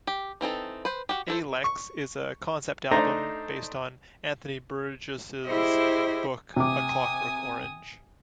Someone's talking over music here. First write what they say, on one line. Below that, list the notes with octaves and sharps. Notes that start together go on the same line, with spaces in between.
A-Lex is a concept album based on Anthony Burgess' book "A Clockwork Orange".
G4
E3 C4 D#4 A4
B4 C5
F#4 G4
E4 A4 C5
C#6
A3 D4 D#4 C5 A#5
E4 G4 G#4 C5 D#5
C3 G#5 D6 D#6